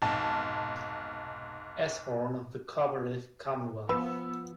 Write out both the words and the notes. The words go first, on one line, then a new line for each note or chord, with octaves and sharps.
Eshorn of the Cooperative Commonwealth.
F1 B1 G#2 A5
F3 B3 B4 E6